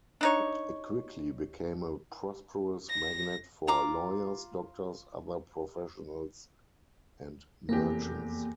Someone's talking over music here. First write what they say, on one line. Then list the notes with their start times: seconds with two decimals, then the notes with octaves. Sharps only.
It quickly became a prosperous magnet for lawyers, doctors, other professionals, and merchants.
0.21 D4 D#4 C#5
2.89 A#6
3.67 F4 A#5 D6
7.69 F1 E2 A#3 G4